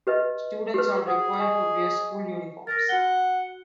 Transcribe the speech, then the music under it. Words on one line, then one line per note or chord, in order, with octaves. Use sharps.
Students are required to wear school uniforms.
G4 B4 D#5 E5
G4 B4
F#4 G#4 F#5
D#5 G#5 C#6
A#4 A6 A#6
F#4 F#5 G7